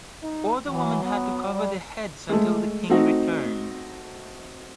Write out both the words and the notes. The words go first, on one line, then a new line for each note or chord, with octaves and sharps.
All the women had to cover their heads until the king returned.
D#4
E3 F#3
B3
G3
G#3 A3
A3 C4 D#4 F#4